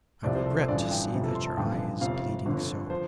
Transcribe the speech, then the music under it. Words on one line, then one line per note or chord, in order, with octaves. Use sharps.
I regret to see that your eye is bleeding so.
C2 C3 F3 D5
C5
A4
C5
A1 G2 D3 F3 D5
G5
G1 F2 C3
A4
C6
A5
A1 G2 D3 F3 G5
G1 F2 C3 F5
G1 F2 D3
F3 C5